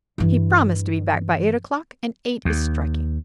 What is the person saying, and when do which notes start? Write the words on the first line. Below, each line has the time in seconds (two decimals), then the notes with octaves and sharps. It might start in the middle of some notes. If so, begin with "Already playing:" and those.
He promised to be back by eight o'clock, and eight is striking.
0.18 G2 E3
2.45 D#2